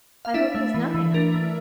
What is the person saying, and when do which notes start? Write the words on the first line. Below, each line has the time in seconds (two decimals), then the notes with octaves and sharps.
I hope there's nothing up.
0.25 F5
0.34 D4 E4 E5
0.55 A3
0.74 E3
0.94 E3
1.14 D4 A#4
1.34 A3